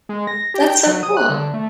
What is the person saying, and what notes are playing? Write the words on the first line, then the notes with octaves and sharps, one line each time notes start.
That's so cool.
G#3
A#6
G4
G5
F#3
D#6
F#6
D3
A3